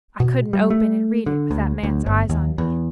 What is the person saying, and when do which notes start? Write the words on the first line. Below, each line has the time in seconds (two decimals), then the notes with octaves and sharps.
I couldn't open and read it with that man's eyes on me.
0.20 B2
0.53 G3
0.70 A3
1.26 D3
1.51 D2
1.83 D2
2.06 G1
2.30 D#2
2.58 E2